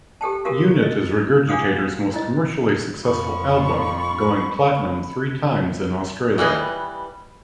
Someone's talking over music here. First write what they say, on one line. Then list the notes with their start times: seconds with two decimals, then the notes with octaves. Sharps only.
"Unit" is Regurgitator's most commercially successful album, going platinum three times in Australia.
0.21 G4 A4 G5 A5
0.45 F#4 G4 A4 A#4 F5
0.83 D#5
1.49 D4 F4 G#4 F5 F#5 D#6
2.14 E4 D#5
3.04 F2 F3 B5 C#6
6.38 E3 G3 B4 D#5